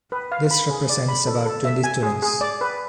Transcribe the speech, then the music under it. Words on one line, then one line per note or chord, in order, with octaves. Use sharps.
This represents about twenty students.
B4
F5
B5
G#4
D5
B5
A4
A4
E5
G#5
G#4
G#4
D5
B4